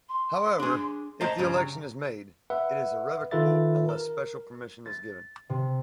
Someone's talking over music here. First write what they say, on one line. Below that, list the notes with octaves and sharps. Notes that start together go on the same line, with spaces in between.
However, if the election is made, it is irrevocable unless special permission is given.
C6
D4 G#4
C5 D#5 A5 A#5
G2 C#3
B4 E5 F#5
D#3 F4 A4 B4 E5 A6
A#4
A6
C3